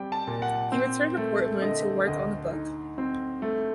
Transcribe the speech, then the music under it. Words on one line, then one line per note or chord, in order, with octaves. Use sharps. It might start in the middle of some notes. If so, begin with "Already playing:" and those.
He returned to Portland to work on the book.
Already playing: G3 C4 G5
A5
A#2
F#5
C4
A3
D3 D#5
D2 D#5
D#4
C4
A3